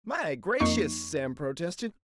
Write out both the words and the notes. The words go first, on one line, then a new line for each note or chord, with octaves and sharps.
"My gracious!" Sam protested.
F2 A#3 D#4 C#6 C7